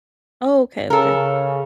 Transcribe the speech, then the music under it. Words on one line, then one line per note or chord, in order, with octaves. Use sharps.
Oh, okay, okay.
C#3 A4 A#4